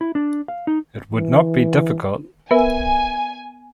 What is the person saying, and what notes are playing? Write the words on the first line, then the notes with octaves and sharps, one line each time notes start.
It would not be difficult.
E4
D4
F5
D#4
E3
B3 A#4 B4 E5 G#5